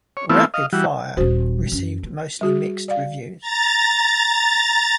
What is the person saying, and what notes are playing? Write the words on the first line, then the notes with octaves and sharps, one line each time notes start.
"Rapid Fire" received mostly mixed reviews.
C#5
E3 A3 B3 C4 E4 F4
D#5 F5
E3 G3 F#4
D#1 D#4 F#4 C5
F#2
C4
G3 F#4 G#4
D5 F5
A#5 A6